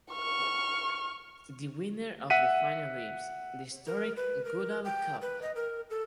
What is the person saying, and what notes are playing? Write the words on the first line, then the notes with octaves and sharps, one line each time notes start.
The winner of the final lifts the historic Goodall Cup.
C#6 F6
E5 F#5 B6 D#7
A#4
B4
A#4
G5
B4
D#5
A#4
A4